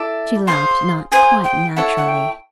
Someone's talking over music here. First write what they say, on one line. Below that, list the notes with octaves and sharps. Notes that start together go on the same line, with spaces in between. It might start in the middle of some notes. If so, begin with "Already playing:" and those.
She laughed, not quite naturally.
Already playing: E4 A4 D5
G#4 C5 F5 C6
G#4 C5 F5 G#5
G5
E4 A4 C#5 F#5
F#5
G5